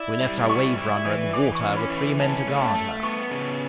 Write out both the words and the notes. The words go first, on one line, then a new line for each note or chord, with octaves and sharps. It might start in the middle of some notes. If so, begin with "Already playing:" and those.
We left our 'Waverunner' in the water with three men to guard her.
Already playing: E4 D5
G3
E4 C#6
E4
E3
E3 D6
C#6
C#4
B5
E3
B5
C#4 A5
A3
A5
A3
B3 C#6
C#3